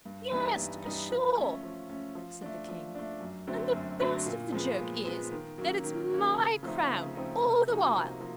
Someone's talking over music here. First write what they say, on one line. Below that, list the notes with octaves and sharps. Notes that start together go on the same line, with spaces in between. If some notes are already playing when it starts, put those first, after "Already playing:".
'Yes, to be sure,' said the King: 'and the best of the joke is, that it's MY crown all the while!
G2
E3 G3 B3 D#4
G2
E3 G3 B3 D#4
F3
A3 C#4
F3
A3 C#4
F3
A3 D4
F3
A3 D4
F#2
D3 F#3 A3 C4
F#2
D3 F#3 A3 C4
A#2
F3 G#3 B3
A#2
F3 G#3 B3
D#3
F#3 A#3 C#4
D#3
F#3 A#3 C#4
C#3
F3 A3 C4 D#4
C#3
F3 A3 C4 D#4
C3
F3 A#3 D#4 F#4
C3
F3 A#3